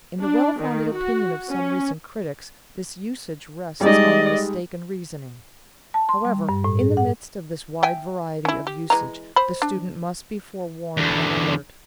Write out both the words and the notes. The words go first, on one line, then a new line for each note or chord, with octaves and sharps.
In the well-founded opinion of some recent critics this usage rests on a mistaken reasoning. However, in the midst of this wide variety of usage the student must be forewarned and alert.
D4
D#3
F#4
C#4
G3 G#3 D#4 D5 D#5
A5
C6
G3
G2
A2
G#4
F#5
E5 G5 G#5
C#4 E4
G4
E3 G#3 A#5
C5 B5
D4
E2 D3